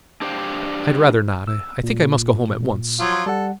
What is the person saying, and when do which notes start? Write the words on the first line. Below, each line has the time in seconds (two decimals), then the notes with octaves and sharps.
"I'd rather not--I think I must go home at once."
0.22 D4 G4 C5 D5 F5 G5
1.47 E6
1.84 A#2
3.00 F3 F#3 F4
3.26 G3 A4 F#5